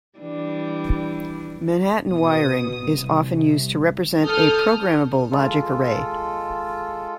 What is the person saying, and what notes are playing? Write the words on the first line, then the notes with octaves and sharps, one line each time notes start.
Manhattan wiring is often used to represent a programmable logic array.
E3 G3 D4
B2 D#6
C2
A4 D#6 F6 G6
G#3 F4 A4